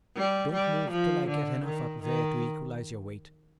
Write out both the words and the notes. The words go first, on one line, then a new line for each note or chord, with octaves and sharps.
Don't move till I get enough up there to equalize your weight.
G3
G3
F3
D3
D#3
D#3